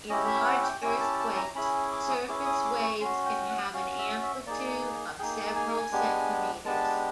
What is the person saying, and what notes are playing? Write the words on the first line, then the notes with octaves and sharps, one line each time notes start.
In large earthquakes, surface waves can have an amplitude of several centimeters.
C#4 E4 G4 D#5
E5
F#5
G5
C#4 E4 G4 G#5
A5
A5
A#5
C#4 E4 G#4 B5
D6
D#6
C#4 E4 G#4 D6
D#6
D6
C#6
C#4 F#4 C6
G5
F#5
C#4 F#4 F5
E5
E5
A#3 D#4 G#4 D5
A#3 D#4 G#4 G5
G#5
G#3 B3 D4 G4
G#3 B3 D4 G4 A5